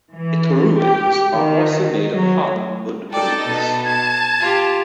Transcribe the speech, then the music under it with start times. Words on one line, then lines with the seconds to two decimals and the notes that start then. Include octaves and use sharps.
Its ruins are also made of hardened mud bricks.
0.14 E3
0.80 G4
1.30 D#3
2.12 F#3
3.12 D#4 A4 D5 D#5 G5
3.45 B2 A5
3.85 A5 G#6
4.40 F4 G4